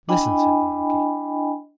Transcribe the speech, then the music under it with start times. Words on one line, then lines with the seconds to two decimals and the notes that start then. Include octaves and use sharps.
"Listen," said the monkey.
0.09 D4 E4 D#5 G5 G#5 B5